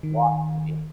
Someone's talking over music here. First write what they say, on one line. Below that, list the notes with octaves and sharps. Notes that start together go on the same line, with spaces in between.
watching me.
D#3